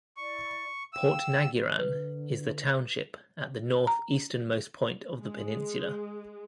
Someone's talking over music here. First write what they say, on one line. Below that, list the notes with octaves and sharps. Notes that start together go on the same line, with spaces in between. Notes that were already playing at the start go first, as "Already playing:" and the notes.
Portnaguran is the township at the north-easternmost point of the peninsula.
E4 D5 C#6
F5 G5 E6
D3 B4
A#5
G#3